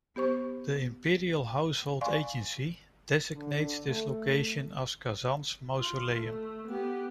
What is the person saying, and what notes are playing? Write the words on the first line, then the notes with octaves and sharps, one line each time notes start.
The Imperial Household Agency designates this location as Kazan's mausoleum.
B3 G4 C5 C#6
D5 F5 G#5 C6 C#6
D3
A3
F4
A3
B3 G4